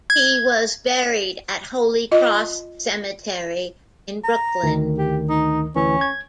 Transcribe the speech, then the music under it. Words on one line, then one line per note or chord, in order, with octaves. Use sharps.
He was buried at Holy Cross Cemetery in Brooklyn.
G#6
F4 D#5
A#5
D2 D#3
G4
D#4
D2 E3 C#4
G#6